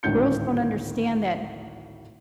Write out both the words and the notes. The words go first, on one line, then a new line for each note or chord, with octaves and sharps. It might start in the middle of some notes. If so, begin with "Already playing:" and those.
Girls don't understand that
G#1 D2 A2 D4 G6 C#7